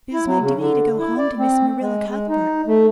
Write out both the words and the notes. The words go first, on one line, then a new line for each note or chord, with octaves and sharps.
But it is my duty to go home to Miss Marilla Cuthbert.
E4
F#3
C#3
D3
E4
D5
C4
G#3
G#3
D#4
A3